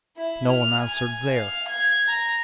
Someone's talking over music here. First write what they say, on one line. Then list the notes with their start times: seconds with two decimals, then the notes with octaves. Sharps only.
No one answered there.
0.17 E4
0.52 F6
0.81 G#5
1.34 F5
1.69 G#6
2.08 A#5